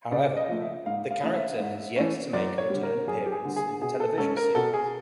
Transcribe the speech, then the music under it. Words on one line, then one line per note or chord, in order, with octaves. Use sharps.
However, the character has yet to make a return appearance in the television series.
C#3 D5
D#5
F3 A3
E5
G#2 F5
F5
E3 A3 C#4
E5
G#2
E3 A3 C#4
F#2 D5
C#5
D3 G3
A#4
F#2 G#4
G4
G#4
D3 G3
G#4
B2 G#4
A4
G#3 C#4 A4
A#4
B2 A4
G#4